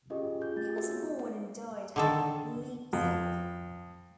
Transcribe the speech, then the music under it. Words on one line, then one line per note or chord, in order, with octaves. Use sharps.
He was born and died at Leipzig.
C#4 F4 G4 G#4 D#5
F4 G#4 G6
A3 G#4 A6
F#4 E5
F4 C#5
D3 D#3 A4
F2